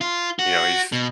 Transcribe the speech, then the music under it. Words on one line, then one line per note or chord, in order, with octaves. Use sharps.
you know, he's,
F4
F#4
B2